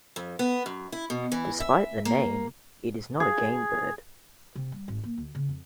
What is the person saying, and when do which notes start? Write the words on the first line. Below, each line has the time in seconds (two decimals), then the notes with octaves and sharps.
Despite the name, it is not a game bird.
0.16 F2
0.39 B3
0.66 F#2
0.92 E4
1.10 B2
1.32 E3
1.60 E5
2.05 A#3
3.20 G#4
4.55 C3
4.72 G3
4.88 G#1
5.04 A#3
5.18 D2
5.35 C#3
5.49 F2